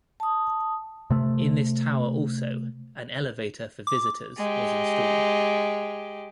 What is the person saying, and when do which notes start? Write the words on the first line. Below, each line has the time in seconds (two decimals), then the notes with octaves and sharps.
In this tower also an elevator for visitors was installed.
0.20 A5 D#6
1.10 C3 A3
3.87 D6
4.37 G#3 G4